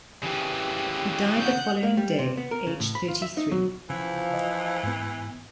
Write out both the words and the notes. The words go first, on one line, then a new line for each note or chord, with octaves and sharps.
He died the following day, age thirty-three.
C#3 E3 G4
F#5 G6
A#3
G3
C3
B3
A#4
C#3
A2
B5
F4
E5
D#4
F#3
C#3 E3 F3
D#5
G#2 B3